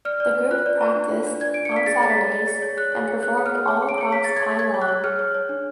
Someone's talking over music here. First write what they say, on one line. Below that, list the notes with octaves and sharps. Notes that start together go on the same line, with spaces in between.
The group practiced on Saturdays and performed all across Taiwan.
D5 F6
D5
B4
F4 F#6
D5
D5
D4
F4
D4
D5 G#6
D4 D7
C#7
D5 B6
G#4 A6
C#5 A6
B6
G#4
G#4 A6
G#4
C#5
G#4 F#6
C#5
G#4
C#5 F#6
G#4
F6
G#4
C#5 D6
G#4
D7
C#5 C#7
C#5 B6
G#4 A6
G#6
C#5
C#5 G#6
C#5
F#6
C#5
G#4 F6
C#5
C#5
D4